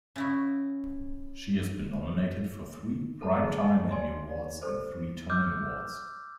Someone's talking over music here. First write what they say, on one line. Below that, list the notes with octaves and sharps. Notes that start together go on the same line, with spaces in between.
She has been nominated for three Primetime Emmy Awards and three Tony Awards.
C#3 E4 F#4
A4 B4 F#5 A5 A#5
G#4 B4 D#5 A5
D#5 F#5 G#5 A5
D5 G#5 C6
D5
D4 G4 A4 B4 C5
D6 E6 F6 G6